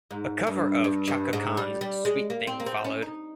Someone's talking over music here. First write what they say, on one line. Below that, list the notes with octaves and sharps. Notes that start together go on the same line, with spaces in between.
A cover of Chaka Khan's "Sweet Thing" followed.
G#2
G2
G2
G2
G#2
G3
G3
G#3
A#3
C4
A#3
C4
C#4
D#4